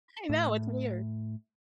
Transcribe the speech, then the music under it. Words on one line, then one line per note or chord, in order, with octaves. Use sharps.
I know, it's weird.
A2